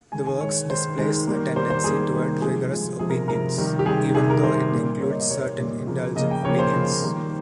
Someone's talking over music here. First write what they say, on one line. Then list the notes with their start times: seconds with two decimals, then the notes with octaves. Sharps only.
The works displays a tendency toward rigorous opinions, even though it includes certain indulgent opinions.
0.12 D#3 G#3 G#5
0.26 G#5
0.40 D#3 G#3 C#5
0.69 D#3 G#3 C5
0.98 D#3 G#3
1.27 D#3 G3 A#3
1.56 D#3 G3 A#3 C5
1.70 C5
1.84 D#3 G3 A#3 G#4
2.14 D#3 G3 A#3
2.42 C3 F3 G#3 G#4
2.70 C3 F3 G#3
2.99 C3 F3 G#3 G#4
3.10 A#4
3.28 C3 F3 G#3 A#4
3.58 C3 D#3 G3
3.79 G4
3.85 C3 D#3 G3 G#4
4.14 C3 D#3 G3 G#4
4.30 A#4
4.43 C3 D#3 G3 C5
4.72 A#2 G3 A#3
5.01 A#2 G3 A#3 C#5
5.10 D#5
5.20 D#5
5.30 A#2 G3 A#3 C#5
5.58 A#2 G3 A#3
5.87 C#3 F3 A#3
6.16 C#3 F3 A#3 D#5
6.31 G5
6.44 C#3 F3 A#3 C#5
6.59 C5
6.73 C#3 F3 A#3
7.02 D#3 G3 A#3